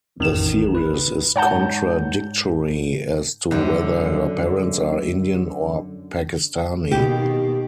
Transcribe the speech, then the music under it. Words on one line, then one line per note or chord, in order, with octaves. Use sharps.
The series is contradictory as to whether her parents are Indian or Pakistani.
A1 F2 D#3 E7
B4
G#2 C#5 F#5 A5 G6
F#2 D3
B2 D#3 A#3 G4